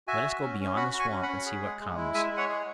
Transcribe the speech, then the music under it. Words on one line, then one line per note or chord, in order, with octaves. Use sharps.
Let us go beyond the swamp and see what comes.
F#4 E5 G#5
F#4
C#4
C#4
F#4 F#5 B5
F#4
G#5 C#6
C#4
F#5 B5
C#4
G#4
G#3
G#3
E4
G#3 E5 G#5
G#3
C#5 F#5
G#4